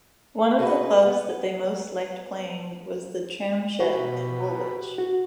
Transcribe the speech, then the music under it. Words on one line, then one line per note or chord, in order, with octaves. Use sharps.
One of the clubs that they most liked playing was "The Tramshed" in Woolwich.
F#4 G#4 B4 D5 D#5 F#5
B3
B2 F#4 G4 B4
F#4